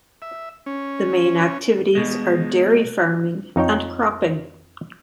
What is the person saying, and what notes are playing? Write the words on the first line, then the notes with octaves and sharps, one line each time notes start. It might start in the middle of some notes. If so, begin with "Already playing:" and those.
The main activities are dairy farming and cropping.
E5
C#4
B2 G#3
F2 D#4 C#5 G5